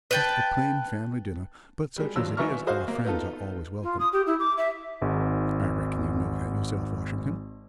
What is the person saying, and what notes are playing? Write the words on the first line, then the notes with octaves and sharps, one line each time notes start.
Just a plain family dinner, but such as it is, our friends are always welcome, I reckon you know that yourself, Washington.
B4 G5 A5
G3 G#3
D#2 F3 F#3 D4 E6
G#1 E3 E5 A#5 C#6 F6
F#4 G#4 C5 D#5 F5
A#3
B3 D#4 F4 A4
F4
D#6
G4
E4
D6
E5
G#1 G#2